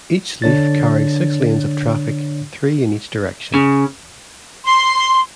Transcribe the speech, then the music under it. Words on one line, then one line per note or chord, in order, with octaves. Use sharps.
Each leaf carries six lanes of traffic-three in each direction.
D3 D4 C#5 A6
C#3
C6